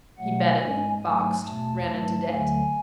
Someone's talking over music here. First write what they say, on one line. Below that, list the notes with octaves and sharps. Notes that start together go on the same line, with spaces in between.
He betted, boxed, ran into debt.
B2 F#3 A3 F#5
G#2 G#3 G#5
G#2 F#3 A3 G#5
E2 B2 A3 A5
G#2 F#3 A3 A5
D2 D3 F#3 A3 G#5